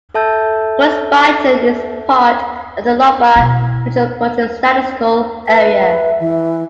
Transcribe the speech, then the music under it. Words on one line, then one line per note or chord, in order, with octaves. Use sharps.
Crosbyton is part of the Lubbock Metropolitan Statistical Area.
A4 E5 A5 E6 G6
B2 E4
B4 E5
E3